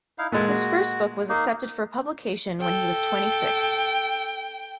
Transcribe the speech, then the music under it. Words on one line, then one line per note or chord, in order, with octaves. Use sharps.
His first book was accepted for publication when he was twenty-six.
D#4 E4 F5
A#2 G#3 A4 E5 F#5
F#4
A#3 D#4
A4 G5